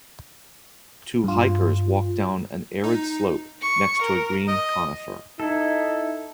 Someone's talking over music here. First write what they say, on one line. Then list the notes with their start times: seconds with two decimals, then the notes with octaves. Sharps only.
Two hikers walk down an arid slope next to a green conifer.
1.24 G2 F4
2.84 D#4
3.62 C#6
4.02 A#4
4.48 D#5
5.40 D#4 E4 A4